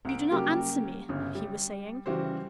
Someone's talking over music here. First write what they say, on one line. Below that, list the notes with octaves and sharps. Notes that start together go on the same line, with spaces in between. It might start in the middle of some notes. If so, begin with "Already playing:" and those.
"You do not answer me," he was saying.
C2 D7
C#3 F#3 G3 A#3 G4
G1 C#3
G3
C#3 E3 G3 F#4 C5